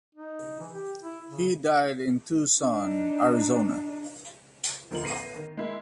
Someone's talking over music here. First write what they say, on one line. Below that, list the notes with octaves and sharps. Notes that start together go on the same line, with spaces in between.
He died in Tucson, Arizona.
D#4
E3
G4
E4
C#3
D4 D#4
D2 F3 A#4 D#5 F#7
A1 B3 A#6 C7 D#7
D#3
G#3 A#3 E4